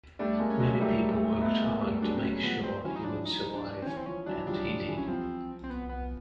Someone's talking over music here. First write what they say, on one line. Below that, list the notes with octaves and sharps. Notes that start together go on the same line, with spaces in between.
Many people worked hard to make sure he would survive and he did.
G3 A3 D4
G#3 A#3
C#4
F#3 G#3
A#3
G3 A3 D#4
G3 A3
A3 B3
B3
G#3 A#3
G3 A3
F#3 G#3 D4
C4
F#3 G#3 C#4
F3 G3 B3
C4
E3 F#3 C#4
D#4
F3 D4
D#4
D4
C4
E3 C#4
C4
F3 C#4
E3 F#3 D4
F3 G3 D4
F3
E3
C#4
F3 C4
C4
B3
B3